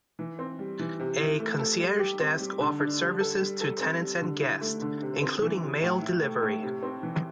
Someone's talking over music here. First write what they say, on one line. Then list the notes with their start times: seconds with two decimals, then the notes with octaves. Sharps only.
A concierge desk offered services to tenants and guests including mail delivery.
0.19 E3
0.39 C4
0.59 G3
0.80 E3
1.00 C3
1.19 E4
1.40 A3
1.59 A4
1.79 G3
1.99 G4
2.20 C4
2.40 G3
2.60 D3
2.80 D4
3.00 G3
3.20 A4
3.40 G3
3.61 A4
3.81 C4
4.01 G3
4.21 D3
4.41 E4
4.61 A3
4.82 D3
5.02 C3
5.22 C4
5.42 E3
5.61 C3
5.82 A2
6.02 E4
6.22 A3
6.42 A2
6.62 C3
6.83 C4
7.03 E3